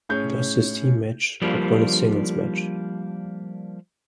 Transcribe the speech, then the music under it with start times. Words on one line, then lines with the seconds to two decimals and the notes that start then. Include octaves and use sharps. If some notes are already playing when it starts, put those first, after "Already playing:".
He lost his team match, but won his singles match.
0.09 A2 C#4 G#4 G6
1.42 F3 G3 A#3 D4